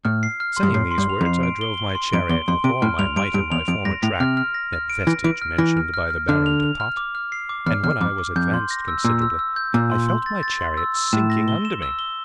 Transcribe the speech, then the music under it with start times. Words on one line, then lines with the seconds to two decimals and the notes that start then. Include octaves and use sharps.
Saying these words, I drove my chariot with all my might in my former track, that vestige mentioned by the Baron de Tott, and when I was advanced considerably, I felt my chariot sinking under me.
0.05 A2 F6
0.23 C7
0.40 F6
0.57 C6
0.63 G2
0.74 A2 C7
0.91 C6
0.98 G2
1.09 F7
1.21 F2
1.26 C7
1.43 D7
1.61 G7
1.78 G7
1.95 C6
2.13 F2 D7
2.29 E2 G7
2.48 F2 C6
2.64 C3 D7
2.82 A2 F6
2.99 G2 F7
3.16 G2 D7
3.33 G2 D7
3.51 E2 F7
3.68 F2 D7
3.85 G2 A#6
4.03 A2 F7
4.20 C3 F6
4.37 F6
4.54 A#6
4.73 F6
4.90 D7
5.07 E3 A#6
5.24 E3 D7
5.41 F6
5.58 E3 A#6
5.77 F6
5.94 F6
6.10 F6
6.28 D3 F6
6.46 F7
6.62 F7
6.80 F6
6.97 D6
7.15 F6
7.32 C7
7.49 D6
7.66 E2 F6
7.83 E2 F6
8.01 F2 D6
8.18 D6
8.36 F2 G6
8.54 C6
8.71 A#6
8.88 E6
9.05 A#2 E6
9.22 E6
9.39 E6
9.56 G6
9.74 A#2 E6
9.91 C6
10.09 C6
10.26 A6
10.43 A6
10.61 C6
10.77 E6
10.95 E6
11.13 A2 E7
11.30 A#6
11.48 G7
11.65 E7
11.82 E6
11.99 G7